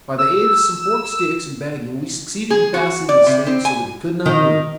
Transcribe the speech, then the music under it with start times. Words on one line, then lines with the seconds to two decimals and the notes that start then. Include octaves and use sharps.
By the aid of some forked sticks and bagging we succeeded in fastening the snake so that he could not move.
0.18 E6
2.50 G#4
2.74 F#4
3.09 D5
3.26 C3
3.47 C4
3.65 G#5
4.26 D#3